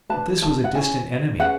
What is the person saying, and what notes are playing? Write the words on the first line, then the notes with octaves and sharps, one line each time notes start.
But this was a distant enemy.
D4 G#4 B4 A5
A5
F#5
C#4 E4 G#4 G#5
C#4 G#4 B4 F#5